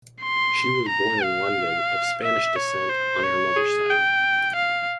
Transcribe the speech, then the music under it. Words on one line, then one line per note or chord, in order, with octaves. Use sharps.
She was born in London, of Spanish descent on her mother's side.
C6
A#5
F5
E5
C#5
C5
C#5
G#4
G5
F5